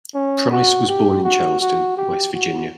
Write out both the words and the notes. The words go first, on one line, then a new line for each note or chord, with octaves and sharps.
Price was born in Charleston, West Virginia.
C#4
F#4
G4
F#4
F#4
G4
F#4